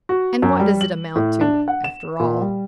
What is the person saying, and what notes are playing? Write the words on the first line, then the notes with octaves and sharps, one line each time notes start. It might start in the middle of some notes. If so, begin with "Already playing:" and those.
And what does it amount to, after all?
F#4
F#2
G3
F#7
A2
D4
F#5
E7
A#2
G3